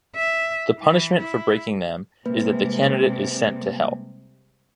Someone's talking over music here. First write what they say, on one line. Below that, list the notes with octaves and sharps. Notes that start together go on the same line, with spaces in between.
The punishment for breaking them is that the candidate is sent to Hell.
E5
E3
E4
C3 G3 G#3 A#3 B4